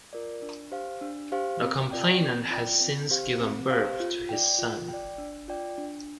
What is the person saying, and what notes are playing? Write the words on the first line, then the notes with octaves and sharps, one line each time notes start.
The complainant has since given birth to his son.
F4 A#4 D5
D4
G4 C5 F5
D4
G4 C5 F5
C4
F4 D5 G5
C4
F4 D5 G5
C4
G4 C5 F5
C4
G4 C5 F5
F4
D5 G5
F4
G5
D5
D4
F4 D5 G5
D4